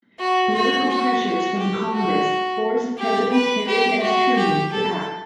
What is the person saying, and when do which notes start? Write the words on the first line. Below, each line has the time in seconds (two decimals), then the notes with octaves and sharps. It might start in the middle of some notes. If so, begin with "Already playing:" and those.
Political pressures from Congress forced President Harry S. Truman to act.
0.19 F#4
0.54 F#4
0.89 F#4
1.24 F#4
1.58 G4
1.94 F#4
2.98 G4
3.32 B4
3.67 G4
4.02 F#4
4.37 G4
4.72 A4